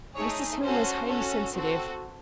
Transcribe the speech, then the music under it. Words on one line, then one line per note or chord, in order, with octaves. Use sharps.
Mrs. Hillmer is highly sensitive.
A3 D#4 G#4 C#5
C#4 F#4 A4 C5
C#4 F#4 A4
C4 F#4 A4